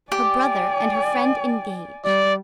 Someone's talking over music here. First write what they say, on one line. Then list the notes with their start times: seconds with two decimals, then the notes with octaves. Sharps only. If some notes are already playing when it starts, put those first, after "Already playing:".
Her brother and her friend engaged!
0.12 G4 D5 G#5
2.05 G3 D5